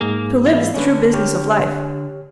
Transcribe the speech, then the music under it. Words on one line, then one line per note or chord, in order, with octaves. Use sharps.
To live is the true business of life.
G#2 A#3 G#4
E3 F4
D3 C#4 D4 B4
G4 C#5 F6